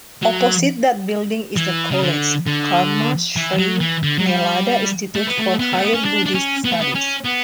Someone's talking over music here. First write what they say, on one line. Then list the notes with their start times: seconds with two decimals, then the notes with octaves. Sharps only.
Opposite that building is a college, Karma Shri Nalanda Institute for Higher Buddhist Studies.
0.22 F#3
1.57 E3
1.91 C#3
2.02 D3
2.47 D3
3.36 E3
3.59 F#3
3.80 E3
4.03 D3
4.19 F#3
4.26 G3
5.15 A3
5.27 B3
5.39 A3
5.60 B3
5.73 A3
5.84 B3
5.94 C#4
6.05 D4
6.25 D4
6.35 C#4
6.64 B3
6.72 A3
6.80 B3
6.95 C#4
7.24 B3